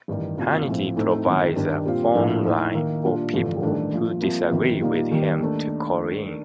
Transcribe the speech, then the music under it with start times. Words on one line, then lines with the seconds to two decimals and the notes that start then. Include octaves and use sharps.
Hannity provides a phone line for people who disagree with him to call in.
0.08 A1 G2 D#3
0.37 D2 C3 D#3 A#3 F4
0.67 A#1 A2 F3 C4
0.96 A2 A3 C4 D#4
1.26 G1 F2 D#3
1.56 G2 D#3 G3 D4
1.85 A#2 G3 C4 F4
2.14 A#1 A2 F3 A#3 D4
2.45 A2 A3 D#4
2.74 D#2 D#3 A#3 D#4
3.04 A#2 G3 D4 F4
3.33 A1 G2 D3 F3 A3
3.62 A1 G2 D#3 A3 D4
3.93 A#1 A#2 F3
4.21 C2 C3 F3 A#3
4.51 G1 F2 D#3
4.80 A#2 G3 A#3 D#4
5.11 D#2 D#3 G3
5.40 D#2 D#3 A3 D4